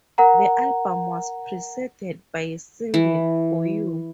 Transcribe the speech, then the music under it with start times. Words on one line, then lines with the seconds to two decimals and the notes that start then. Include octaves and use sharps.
The album was preceded by single "For You".
0.18 A#4 F#5 A#5
2.94 E3